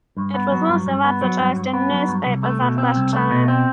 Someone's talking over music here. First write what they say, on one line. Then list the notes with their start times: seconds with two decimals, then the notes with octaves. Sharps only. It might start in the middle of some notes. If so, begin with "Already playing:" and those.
It was also advertised in newspapers at that time.
0.17 G2
0.34 B3
0.52 F#3
0.69 G2
0.86 G2
1.04 B3
1.21 F#3
1.39 G2
1.56 G2
1.73 B3
1.91 F#3
2.08 G2
2.26 C2
2.43 A3
2.61 B2
2.78 C4
2.96 C2
3.13 A3
3.31 B2
3.48 C4